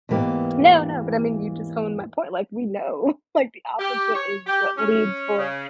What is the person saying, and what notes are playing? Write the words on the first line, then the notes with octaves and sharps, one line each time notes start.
No, no, but I mean you just honed my point, like, we know, like, the opposite is what leads for
E2 G#2 E3 A#3 G4
G4
C#5
G4
C#4
C#3